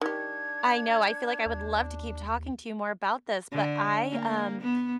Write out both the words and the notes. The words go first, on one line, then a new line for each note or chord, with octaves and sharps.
I know. I feel like I would love to keep talking to you more about this, but I, um
D#3 D4 G4 G#6
D#2
D3
A#3
B3